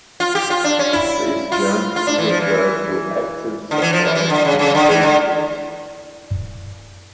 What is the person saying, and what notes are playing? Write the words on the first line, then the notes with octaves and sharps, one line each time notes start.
Space junk is a threat to active satellites and spaceships.
F4
G4
F4
D4
C#4
E4
F4
F4
D4
E3
F3
E3
D3
E3
F3
E3
E3
D3
C#3
C#3
D3
E3
D3